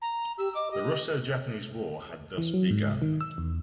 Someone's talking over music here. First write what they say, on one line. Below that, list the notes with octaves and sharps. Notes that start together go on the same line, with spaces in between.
The Russo-Japanese war had thus begun.
A#5
G4 E6
D#5 D6
G4 D#5
E3
F#3
G#2
D#3
E6
E2